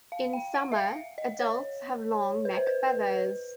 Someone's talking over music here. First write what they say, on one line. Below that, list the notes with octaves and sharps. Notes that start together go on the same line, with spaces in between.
In summer, adults have long neck feathers.
F5
G5
F#5
E5
F5
D#5
C#5
B4
C5
B4
B4